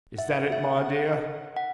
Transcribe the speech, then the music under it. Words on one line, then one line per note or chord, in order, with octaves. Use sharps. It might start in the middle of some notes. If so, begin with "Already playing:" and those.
Is that it, my dear?'
E5 F#5
E5
F#5